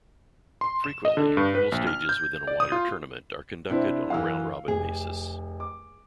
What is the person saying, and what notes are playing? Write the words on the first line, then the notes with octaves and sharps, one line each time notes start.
Frequently, pool stages within a wider tournament are conducted on a round-robin basis.
C6
E7
D#5
D3
G2
B4
A#1
F6
G6
D5
D#6
F4
C3 D4 E4 C5
F#2 E3 F5 E6
F1 G#4
D6